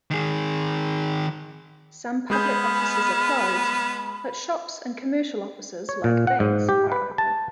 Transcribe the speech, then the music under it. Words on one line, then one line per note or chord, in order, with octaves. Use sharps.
Some public offices are closed, but shops and commercial offices like banks are open.
D#3 G#4
G#3 B3 G#4 B5 F6 G6
C#5
A#2
F#5
G#2
G4
B4
A5